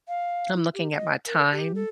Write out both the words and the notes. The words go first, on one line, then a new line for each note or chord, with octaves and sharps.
I'm looking at my time.
F5
E4
G4
D#5
A#4
G4
A4